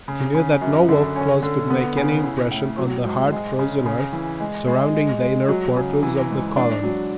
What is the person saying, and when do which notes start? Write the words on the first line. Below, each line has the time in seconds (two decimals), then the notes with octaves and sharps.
He knew that no wolf-claws could make any impression on the hard-frozen earth surrounding the inner portals of the colony.
0.08 C#3
0.34 C#3
0.61 F#2
0.89 D3
1.16 C#4
1.43 D3
1.70 B3
1.97 C#3
2.23 E4
2.51 A2
2.78 F#3
3.05 G#2
3.32 G#3
3.59 C#3
3.86 C#3
4.13 E3
4.40 G#3
4.67 G#3
4.95 G#3
5.22 G#3
5.48 F#3
5.76 C#3
6.03 E3
6.30 G#2
6.57 D4
6.83 F#3